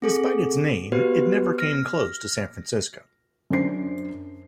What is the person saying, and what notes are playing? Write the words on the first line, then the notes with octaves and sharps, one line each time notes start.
Despite its name, it never came close to San Francisco.
C4 G#4 A4
B3 F#4 G4 B4 C5
F6 A#6
F#2 D4 C5 C7